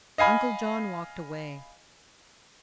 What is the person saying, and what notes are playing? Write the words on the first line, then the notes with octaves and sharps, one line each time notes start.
Uncle John walked away.
D#5 F5 G#5 B5